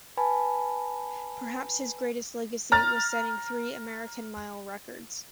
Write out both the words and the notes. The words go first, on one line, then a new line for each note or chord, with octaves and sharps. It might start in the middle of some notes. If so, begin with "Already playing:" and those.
Perhaps his greatest legacy was setting three American mile records.
B4 G#5 A5 B5
A#5 F6 A6